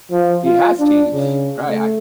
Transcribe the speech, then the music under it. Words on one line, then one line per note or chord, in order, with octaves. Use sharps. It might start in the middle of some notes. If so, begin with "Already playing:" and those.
He has changed. Right I
F3
F4
D4
C#3
A3